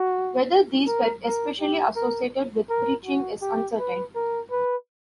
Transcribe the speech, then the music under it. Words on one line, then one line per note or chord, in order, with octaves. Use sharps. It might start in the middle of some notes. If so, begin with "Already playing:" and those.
Whether these were especially associated with preaching is uncertain.
Already playing: F#4
A#4
A#4
G4
A#4
A#4
F#4
G4
B4
A#4
B4